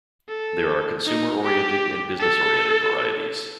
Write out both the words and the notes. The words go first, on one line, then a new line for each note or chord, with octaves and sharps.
There are consumer oriented and business oriented varieties.
A4
D#4
G4
A4